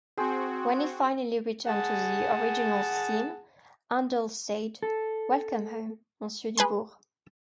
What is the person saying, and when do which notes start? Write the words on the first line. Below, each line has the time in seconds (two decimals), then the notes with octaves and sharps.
When he finally returned to the original theme, Handel said: "Welcome home, Monsieur Dubourg".
0.17 C4 F#4 G#4 G5 C6
1.67 G#4 F#5 A5
4.83 A4
6.57 G#4 B4 G#5 C6